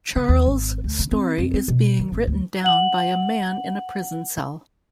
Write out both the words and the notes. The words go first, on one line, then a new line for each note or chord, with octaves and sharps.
Charles' story is being written down by a man in a prison cell.
C#3
D#2
G#1
D2
C#3
C4
F2
C4
B2
D#3
G#1
D2
F#5 F#7